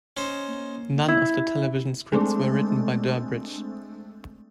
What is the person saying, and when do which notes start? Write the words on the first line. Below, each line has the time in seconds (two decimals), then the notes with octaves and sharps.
None of the television scripts were written by Durbridge.
0.17 C#4 D#4 C5
0.48 A#3
1.08 E4
2.12 G#3 A3 C4 D4